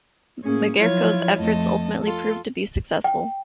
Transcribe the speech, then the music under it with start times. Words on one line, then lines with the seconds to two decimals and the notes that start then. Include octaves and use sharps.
Magerko's efforts ultimately proved to be successful.
0.44 A2 A#3 C#4 G#4
0.79 F3 F#3 E4 F4 C#5 G#6
1.36 F2 A3 D#5 A5
2.03 F4 A4
3.04 G5